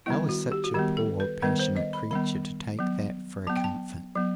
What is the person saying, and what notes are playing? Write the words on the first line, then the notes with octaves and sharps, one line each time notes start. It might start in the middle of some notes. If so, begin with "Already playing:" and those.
How was such a poor passionate creature to take that for a comfort?
D#3 G3 B3 E4
F#4
G4
F#4
D#3 G3 B3 G4
A4
B4
D#3 G3 B3 B4
C5
D#5
B5
D#3 G3 B3 B5
F#3 B3
F#3 B3 A5
G5
A5
F#3 B3